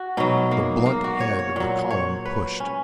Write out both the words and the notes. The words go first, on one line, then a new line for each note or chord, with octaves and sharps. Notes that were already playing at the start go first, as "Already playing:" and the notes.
The blunt head of the column pushed.
Already playing: F#4
B2 F#3 D#4
A#3
A#3
F#4
C#5
C#5
A#2 F#3
C#5
B4
C#4